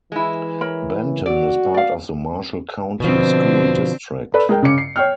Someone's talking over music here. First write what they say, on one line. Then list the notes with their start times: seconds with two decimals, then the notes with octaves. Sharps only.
Benton is part of the Marshall County School District.
0.12 E3 G#3 E4
0.61 A#4 C#5 B5
1.26 F#4 D5
1.74 D5 F5
3.00 B2 D3 F3 C4
4.34 A4 B4 D5 B5
4.49 G#3 A#4 G5
4.62 C#3 C#4 D6 C#7
4.78 C7
4.96 C#5 G5 F6